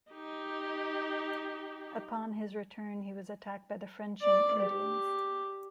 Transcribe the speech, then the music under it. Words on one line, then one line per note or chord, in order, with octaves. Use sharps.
Upon his return he was attacked by the French and Indians.
D#4 G4
D5
G4